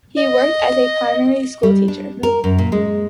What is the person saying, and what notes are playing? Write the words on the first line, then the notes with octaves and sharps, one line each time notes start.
He worked as a primary school teacher.
D#5
G3
D4
A#4
F#2
A#2
G#3